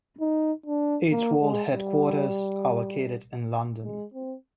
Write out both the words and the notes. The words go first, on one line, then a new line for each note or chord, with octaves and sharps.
Its world headquarters are located in London.
D#4
D4
A#3
G#3
G3
G#3
C4